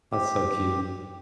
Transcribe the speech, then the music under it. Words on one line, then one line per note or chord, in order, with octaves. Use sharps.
That's so cute.
G4